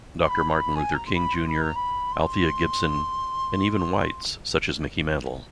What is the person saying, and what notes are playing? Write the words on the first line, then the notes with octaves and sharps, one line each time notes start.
Doctor Martin Luther King, Junior Althea Gibson, and even whites such as Mickey Mantle.
C6
B5
A#5
B5
G#5
A#5
C6
B5
C6
B5
A#5
B5
C6